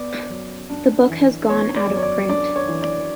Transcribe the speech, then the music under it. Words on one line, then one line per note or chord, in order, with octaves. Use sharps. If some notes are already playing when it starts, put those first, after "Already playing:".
The book has gone out-of-print.
Already playing: B3 D5
F#2
D4
E3
B3 C#5
D5
F#2
C#5
D5
D4 D5
C#5
E3
D5